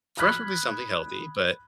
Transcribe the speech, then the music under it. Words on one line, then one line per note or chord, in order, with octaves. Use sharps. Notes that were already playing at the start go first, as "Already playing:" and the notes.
preferably something healthy, but
B5 D#6 F6 F#6 G#6 B6